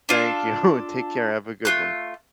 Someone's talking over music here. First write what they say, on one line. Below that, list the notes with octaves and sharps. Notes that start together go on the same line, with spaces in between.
Thank you. And, take care. Have a good one.
D4 F4 A4
A3 F4 F#6